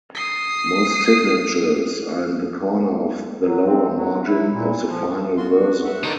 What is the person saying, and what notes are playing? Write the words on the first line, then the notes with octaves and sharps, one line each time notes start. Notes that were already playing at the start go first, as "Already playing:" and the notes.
Most signatures are in the corner of the lower margin of the final verso.
D#6 C7
F#3
C4
F#3
E4
A#2
F3
F4 F#4 C6
F#4
E5 F#5
D3 D#4 C#5 D5 G6